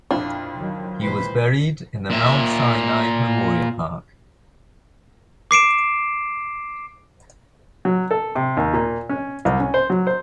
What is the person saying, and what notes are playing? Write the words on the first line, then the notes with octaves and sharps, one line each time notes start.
He was buried in the Mount Sinai Memorial Park.
F2 A#2 D4 E4 F4
D#3 F#3
A#2 E3 G#3 B4 C5
A#2 E5
D6 C7 D7 E7
F#3
A4
C3
D#2
A#2
C#4
C2
C#4
C5
F#3
C5